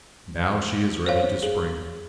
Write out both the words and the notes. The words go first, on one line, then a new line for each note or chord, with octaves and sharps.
Now she is ready to spring.
C5 C#5 F5
G#4